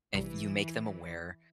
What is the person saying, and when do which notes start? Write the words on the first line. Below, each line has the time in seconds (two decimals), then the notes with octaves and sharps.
if you make them aware,
0.14 A#1 C3 E3 G3